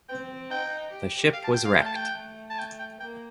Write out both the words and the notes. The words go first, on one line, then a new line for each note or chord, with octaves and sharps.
The ship was wrecked.
C4 G5
D#4 G5
G4
F5
A5
G5
F5
A3 G5
A5
G5
A3
A5
G5
G5
A#3 G5